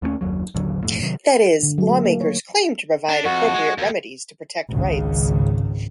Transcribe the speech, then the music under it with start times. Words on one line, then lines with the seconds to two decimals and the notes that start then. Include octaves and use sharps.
That is, lawmakers claim to provide appropriate remedies to protect rights.
0.02 D#2 A3 A#3 C#4
0.21 F#1 D#2 F#3
0.55 A1 D#2 D3 F#3
0.83 E1 A#1 F2 A2
1.03 C3 D#3 F#3
1.63 D3
1.78 F#3
1.89 A3
2.05 A#3
2.21 C#5
3.09 D4
3.25 F2 F#4
3.54 G#3
3.78 D#2
4.71 G#1 C#2 C#3